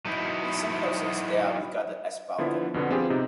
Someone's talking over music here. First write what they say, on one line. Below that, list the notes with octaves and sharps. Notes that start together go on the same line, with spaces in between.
In some houses they are regarded as vulgar.
F#3 D#4 E4
D3 F3 B3 E4
F2 B2 D3 B3
B3 C4 F4 G4 G#4
C3 D#4